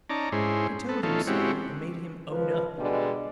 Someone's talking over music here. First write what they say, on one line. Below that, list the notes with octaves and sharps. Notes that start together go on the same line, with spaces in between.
I told him so, and made him own up.
C#4 D#4 D5 A5 A#5
G#2 C#4 E4 G#4 C5
B3 A4
E3 A3 C#4 D#4 F4 A4
G#3 C4 C#4 E4 F#4 G4
C#2 F3 B4
B2 D3 G3 G#3 D4